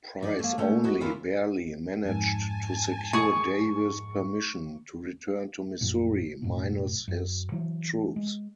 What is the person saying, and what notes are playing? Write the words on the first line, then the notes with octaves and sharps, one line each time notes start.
Price only barely managed to secure Davis's permission to return to Missouri-minus his troops.
D#4 D5
A3 A#3
G#3 A3 C#4
F#4 B4 D#5
C#4 E4 F4 G4 A#4 B4
F2 G#2 G#5 A5
G#4 C#6
A#1 F#2
B1 F#2 A2
F#2
E3 F#3
G#3